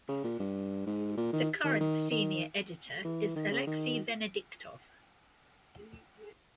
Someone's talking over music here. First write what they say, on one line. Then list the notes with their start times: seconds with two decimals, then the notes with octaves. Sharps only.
The current senior editor is Alexey Venediktov.
0.09 C#3
0.24 A#2
0.39 G2
0.86 G#2
1.17 A#2
1.33 D#3
1.64 D#3
1.80 D#3
2.11 D#3
3.04 E3
3.36 D#3
3.51 C#3
3.67 D#3